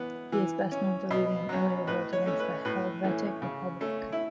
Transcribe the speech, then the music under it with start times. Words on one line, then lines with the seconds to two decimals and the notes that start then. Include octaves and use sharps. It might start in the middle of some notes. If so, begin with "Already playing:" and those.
He is best known for leading an early revolt against the Helvetic Republic.
Already playing: E3 B3
0.32 E3
0.72 C#4
1.11 B2
1.49 F#3 C#4
1.87 A2 B4
2.13 C#5
2.26 A3 C#4
2.40 B4
2.65 A2 B4
3.04 E3 A3 C#4
3.42 C#3
3.81 A3 C#4
4.12 E4